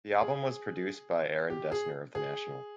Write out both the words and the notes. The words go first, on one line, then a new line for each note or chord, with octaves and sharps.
The album was produced by Aaron Dessner of The National.
G#4
G4
G#4
G#4